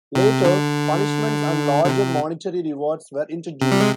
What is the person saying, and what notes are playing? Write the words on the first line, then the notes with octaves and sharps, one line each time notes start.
Later, punishments and larger monetary rewards were introduced.
C3
D3
D3
C3
C3
G3
G#3